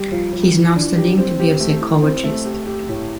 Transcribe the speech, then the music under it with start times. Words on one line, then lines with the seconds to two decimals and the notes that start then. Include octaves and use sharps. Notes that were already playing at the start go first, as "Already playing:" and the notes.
He is now studying to be a psychologist.
Already playing: G3 G4
0.11 F3
0.33 F3
0.55 E3
0.76 D4
0.97 G4
1.18 C4
1.40 G4
1.60 A3
1.81 E4
2.02 C4
2.24 A3
2.45 G4
2.66 G4
2.88 A2